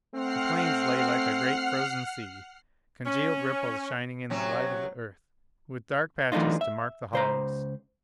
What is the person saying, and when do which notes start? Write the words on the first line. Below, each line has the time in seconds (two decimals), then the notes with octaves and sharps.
The plains lay Like a great frozen sea, congealed ripples shining in the light of the Earth, with dark patches to mark the hollows.
0.13 A3 C4 F#5 F6 C7
3.06 C#4
4.30 C3 F#3 C#4
6.32 E3 F#3 A3 D4 D#4 F4
6.61 E5
7.13 C#2 C5 A#5